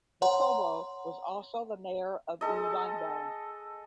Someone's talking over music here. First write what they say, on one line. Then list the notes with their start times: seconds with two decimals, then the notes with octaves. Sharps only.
Ngcobo was also the mayor of Ulundi.
0.22 C#5 F#5 A#5 C6
2.41 G#3 A4 D#5